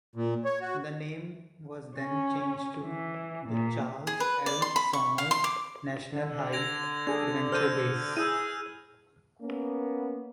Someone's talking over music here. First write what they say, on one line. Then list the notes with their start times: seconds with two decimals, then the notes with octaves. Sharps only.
The name was then changed to the Charles L. Sommers National High Adventure Base.
0.16 A#2
0.45 C#5
0.61 F#4
1.97 C#4
2.83 E3
3.49 A#2
4.07 G#4
4.20 B4
4.46 D5
4.62 C6
4.76 B5
4.93 C#6
5.18 F5
5.31 C6
5.44 D6
6.12 D3
6.53 G#6 A#6 F7
7.07 D4 G#4 A4 G#6
7.52 A4 C5 F6 G6 D#7
8.17 E4 G#4 E6 G6 D#7
9.41 A#3 B3 C#4